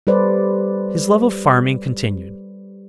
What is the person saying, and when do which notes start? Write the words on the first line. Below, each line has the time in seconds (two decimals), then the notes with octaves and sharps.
His love of farming continued.
0.07 G3 G4 A4 B4 C5 D5